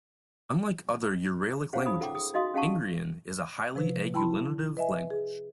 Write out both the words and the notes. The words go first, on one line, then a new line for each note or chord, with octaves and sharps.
Like other Uralic languages, Ingrian is a highly agglutinative language.
C#4 G#4 C5 C#5 F5 F#5
D#4 B5 D#6
F4 A4 F#5 G5 D6
G#4 D#6
D#4 F#4 D#5 F5 C6 D#6
C#4 G#4 F5 F#5 A5 C#6
C3 F3 B4
E4 G5 A5 B5 C6
B4 D#5 E5 G#5
G#4